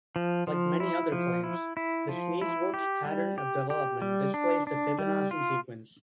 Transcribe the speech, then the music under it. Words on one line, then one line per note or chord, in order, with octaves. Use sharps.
Like many other plants, the sneezewort's pattern of development displays the Fibonacci sequence.
F3
F3
E4
F3
E4
E4
F3
E4
G4
G3
G4
G4
G3
D4
D4
G3
F4